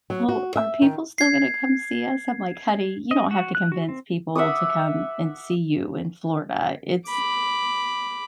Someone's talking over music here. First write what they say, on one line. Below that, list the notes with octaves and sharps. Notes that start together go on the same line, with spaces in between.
"Well, are people still gonna come see us?" I'm like, "Honey, you don't have to convince people to come and see you in Florida, it's"
F#3
F#4
E5
D#3
G#6 C7
D#5
F#4
F#6
F#4
C4
E5 F#5 D6 D#6
B5 D6